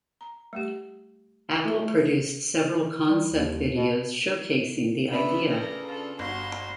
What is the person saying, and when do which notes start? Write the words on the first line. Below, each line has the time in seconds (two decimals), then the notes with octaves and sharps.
Apple produced several concept videos showcasing the idea.
0.21 A#5
0.53 G3 A3 G4
1.65 A3 E4 F4
3.08 G3
3.31 D#2
3.73 B2
5.13 C#3 B3 D4 E5 B5
5.48 A4 A#4
5.86 F4 A4
6.19 G1 F#4 C6